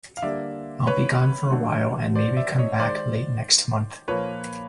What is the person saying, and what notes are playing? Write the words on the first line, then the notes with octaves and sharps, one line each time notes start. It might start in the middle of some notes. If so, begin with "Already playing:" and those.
I'll be gone for a while and maybe come back late next month.
F5
D3 G3 A#3 D5 E5
B4 C#5
D3 F#3 A3
C5 D5
D5 E5
C#5 D#5
D#3 G#3 C5 D5
A#2 F3 A#3 B4 C#5